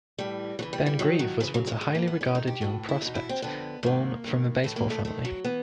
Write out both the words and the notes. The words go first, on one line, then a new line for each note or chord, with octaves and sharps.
Ben Grieve was once a highly regarded young prospect, born from a baseball family.
A2 E3 G3
E2 C#3 E3 F#3
G3
G3
F2 C3 D#3 F#3
F#3
F#2 C#3 E3 F3
F#3
G#3
A2 E3 G#3
A#3
B3
G#2 D#3 C#4
D#4
G4
A2 E3 F#4
E4
E2 B2 D#4
E4
C4
F2 D3 B3
G#2 D#3 A#3
G2 D#3
A2 E3 A3
A#3
A3
G2 D#3 A3
F#3
E3 B3